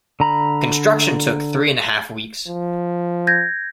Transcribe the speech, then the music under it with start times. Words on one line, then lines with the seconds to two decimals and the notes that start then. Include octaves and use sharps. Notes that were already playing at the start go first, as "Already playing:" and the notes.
Construction took three and a half weeks.
0.20 D3 A#5 B5
2.48 F3
3.27 G6 G#6 A#6